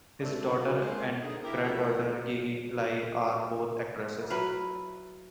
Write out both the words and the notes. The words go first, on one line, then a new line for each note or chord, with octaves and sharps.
His daughter and granddaughter Gigi Lai are both actresses.
G#2 B2 A3 C4 D4
F#3 A#3 D4 F#4
C3 G#3 A#3 F4 C5
D3 A#3 D#4 G#4
E4 G4 A#4
D#3 F3 A3 C#4 E4 A#4
F#3 E4 B4 F5